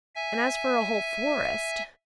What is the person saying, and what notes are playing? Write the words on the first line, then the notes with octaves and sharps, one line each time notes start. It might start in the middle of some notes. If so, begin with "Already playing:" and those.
And as for a whole forest--!
E5 G#5